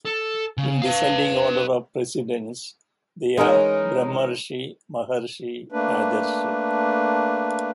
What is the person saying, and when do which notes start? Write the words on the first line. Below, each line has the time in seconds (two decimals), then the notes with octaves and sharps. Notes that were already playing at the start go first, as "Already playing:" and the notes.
In descending order of precedence, they are Brahmarshi, Maharshi, Rajarshi.
0.05 A4
0.57 C#3
0.82 B4 F5
3.37 E3 G#3 C#4 D#4 A#4
5.72 A3 A#3 D4 B4